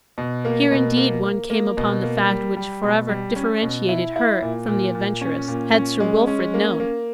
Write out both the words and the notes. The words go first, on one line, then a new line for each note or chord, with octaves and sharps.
Here, indeed, one came upon the fact which forever differentiated her from the adventuress, had Sir Wilfrid known.
B2
A#3
B2
A#3
A#3
A#3
B2
A#3
G3
G3
B2
G3
C#4
B2
E4
E4
A#2
A#2
A#2
C#4
A#2
C#4
G#3
C#4
A#3
A#3